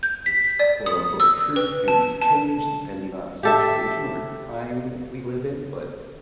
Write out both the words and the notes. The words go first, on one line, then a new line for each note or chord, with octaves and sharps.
this quote unquote "Truth can be changed depending on the situation or the time we live in," but
G6
B6
D5
D#6
E6
B4
A5
A5
G4 A4 E5